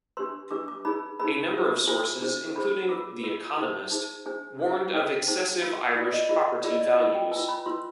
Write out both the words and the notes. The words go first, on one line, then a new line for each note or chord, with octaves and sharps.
A number of sources, including "The Economist," warned of excessive Irish property values.
D4 G4 B4 C6
D4 G4 B4 D6
D6
D#4 G#4 B4 B5
D#4 G#4 B4 B5
F4 G#4 C5
F4 G#4 C5 G#5
D4 G#4 C5
D4 G#4 C5 B5
F4 B4 D6
F4 B4
D#4 G#4 C5
D#4 G#4 C5
D4 G#4 C5 G#5
D4 G#4 C5
D#4 G#4 C5 G5
D#4 G#4 C5
F4 B4 F5
F4 B4 D5
D5
D#5
F4 G#4 B4 D#5
F4 G#4 B4 D5
D#5
D5
D#5
F4 B4
G5
F4 B4 G#5
B5
F4 B4 C6